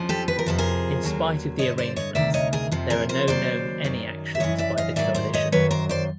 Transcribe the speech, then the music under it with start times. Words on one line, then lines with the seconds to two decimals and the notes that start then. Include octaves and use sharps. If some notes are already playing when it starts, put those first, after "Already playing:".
In spite of the arrangements there are no known any actions by the coalition.
Already playing: F2 C#3 F3
0.09 G4 A4
0.28 B4
0.39 A#4
0.46 F2 C3 F3 A4
0.58 G#4 A#4
1.03 D#2 D3 F#3
1.58 G2 D3 F3 C#5 D#5
1.78 C5 D5
1.96 C#5 D#5
2.15 D2 C3 D#3 D5 E5
2.34 C#5 D#5
2.53 G#4 A#4
2.71 F2 C3 F3
2.90 G#4 A#4
3.09 A#4 C5
3.27 D#2 C#3 F#3 C5 D5
3.84 F#2 D#3 F#3
4.35 E5
4.40 F#2 C#3 E3 C#5 D#5
4.58 D5 E5
4.78 D#5 F5
4.96 G#2 D#3 F#3 D5 E5
5.14 C5 D5
5.34 C#5 D#5
5.52 F#2 D#3 F#3 B4 C#5
5.71 A#4 C5
5.89 C5 D5